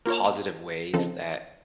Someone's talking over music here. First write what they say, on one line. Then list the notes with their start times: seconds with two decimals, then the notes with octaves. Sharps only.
positive ways that,
0.06 A#3 F4 A#4 C#5
0.94 C#3 F3 C4 D#4 A4